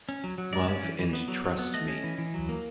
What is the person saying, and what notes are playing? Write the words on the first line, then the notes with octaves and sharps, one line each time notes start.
Love and trust me.
C#4
F#3
F#3
G#3 D5
C#4
E3
E3
B3
F#3
F#3
B3
A3 D#5
C#4
E3
E3
F#3
A#3